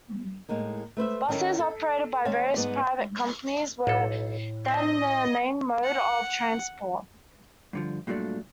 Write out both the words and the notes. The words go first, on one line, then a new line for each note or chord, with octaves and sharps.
Buses operated by various private companies were then the main mode of transport.
A2 G#3 A#3 D#4
A3 B4 C5 E5
D#3 C#4 E4 A4 A#4
A4
D#2 C4 C#5 F5 A5
G#2 B3 D#4 G#4 D5
B1 A2 A4
C4 D#5 E5
F#5
G2 D3 F3
G2 A#2 F#3 A3 D4